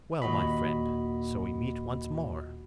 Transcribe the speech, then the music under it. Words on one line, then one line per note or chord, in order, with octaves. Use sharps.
'Well, my friend, so we meet once more!
D#2 A#2 F#4 D#5 B5